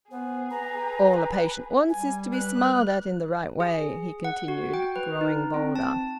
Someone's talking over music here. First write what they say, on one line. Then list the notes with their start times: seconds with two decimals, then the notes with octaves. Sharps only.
"All a patient wants is to be smiled at in the right way," he continued, growing bolder.
0.11 B3 G#4 C5
0.51 B4 A#5
1.90 G3 G#5
2.33 B4 F#6
3.60 G#4
4.24 F#5
4.48 F#4
4.74 G5
4.96 B4
5.21 D#4
5.54 C4
5.76 A5